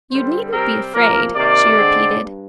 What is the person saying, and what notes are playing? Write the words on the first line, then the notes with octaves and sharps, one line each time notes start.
"You needn't be afraid," she repeated.
G2 D3 G3 C4 C5
C3 G3 C4 A#4
C3 F3 A#3 A#4
C3 D#3 A#3 D5
D3 G#3 C4
G2